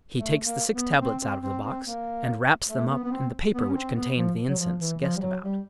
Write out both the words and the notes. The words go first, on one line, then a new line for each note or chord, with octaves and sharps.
He takes the six tablets out of the box, and wraps them up in the paper which contained the incense guessed about.
A3
A#3
B3
C4
C4
C4
C4
A#3
A3
B3
B3
C4
B3
C#4
C4
B3
F3
F#3
F3
E3
F3
G3
F#3
G3